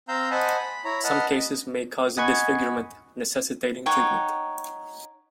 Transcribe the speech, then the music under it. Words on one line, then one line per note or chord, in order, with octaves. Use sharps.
Some cases may cause disfigurement, necessitating treatment.
C4 F5 A#5 E6 G6
C5 D#5 F#5 G#5 A5 B5
B5
E4 C#5 A#5 B5
B4 D#5 F#5 A5 F6
D#5
D#5 F#5 G#5 B5 C#6 G#6
D#4 C#5 F#5 G5